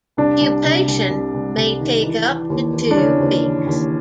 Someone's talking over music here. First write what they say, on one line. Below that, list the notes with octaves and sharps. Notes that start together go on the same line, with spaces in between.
Pupation may take up to two weeks.
C2 D4
C2
C3
C2
C2
C2
C2
D#3
E3
E3
D#2
E3
D4
C#3 C#4
D#2
E3
D#2